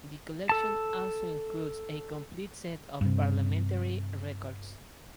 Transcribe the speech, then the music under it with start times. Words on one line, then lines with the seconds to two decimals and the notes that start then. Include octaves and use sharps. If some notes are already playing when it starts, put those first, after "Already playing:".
The collection also includes a complete set of Parliamentary records.
0.49 A4 A5
3.01 G2 C3